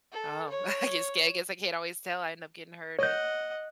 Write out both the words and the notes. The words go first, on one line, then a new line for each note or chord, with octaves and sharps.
Oh, I guess I guess I can't always tell. I end up getting hurt and
A4
C#5
C#5 D#5 F#5 G6